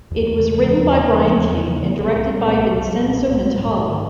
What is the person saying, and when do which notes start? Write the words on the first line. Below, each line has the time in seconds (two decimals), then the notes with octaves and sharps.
It was written by Brian King and directed by Vincenzo Natali.
0.11 E2
0.26 E2
0.40 C#3
0.54 F3
0.69 E2
0.84 E2
0.98 C#3
1.13 F3
1.27 E2
1.42 E2
1.57 C#3
1.70 F3
1.86 B3
2.00 C2
2.15 A#2
2.29 G3
2.43 B3
2.59 C2
2.73 A#2
2.87 G3
3.03 B3
3.17 C2
3.32 A#2
3.46 G3
3.60 G#2
3.75 G#2
3.90 D#3